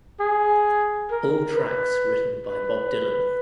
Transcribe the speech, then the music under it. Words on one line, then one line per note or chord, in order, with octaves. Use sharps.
All tracks written by Bob Dylan.
G#4
A#4
B4
B4